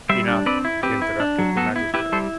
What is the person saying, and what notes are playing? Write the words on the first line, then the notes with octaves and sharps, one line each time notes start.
"Enough," interrupted the magistrate.
G3 C5 E5
D4
C4 B4 D5
E4
C4 G4 B4
E4
D4
F#3
B3 F#4 A4
E4
E4 G4 B4
G3 A4 C5